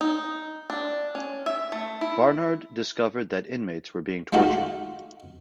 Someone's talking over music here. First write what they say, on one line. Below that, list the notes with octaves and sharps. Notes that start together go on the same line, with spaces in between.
Barnard discovered that inmates were being tortured.
D#4
D4
C#4
E5
A3
E4
G#3 A3 D#4 F4 F#4